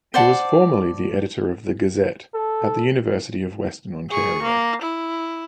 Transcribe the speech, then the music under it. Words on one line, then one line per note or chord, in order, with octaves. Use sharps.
He was formerly the editor of the "Gazette" at the University of Western Ontario.
C5 D5 F#5 A5
A4
G#4 C#6
A#3
E4